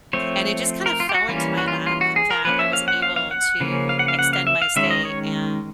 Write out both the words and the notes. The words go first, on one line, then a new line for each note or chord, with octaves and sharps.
And it just kind of fell into my lap that I was able to extend my stay and
F3 A3 C4 C#5
A#4
F4
G4
F#4
E3 G3 A#3 C#4 F4
F#4
F4
F4
F#4
G#4
A#4
F3 A#3 C#4 B4
E5
F5
F#5
F5
F5
F#5
C#3 F3 A#3 C#4
F5
F#5
F5
F#5
F5
E5
F5
D#3 G#3 C#4 E5
D#5
C#5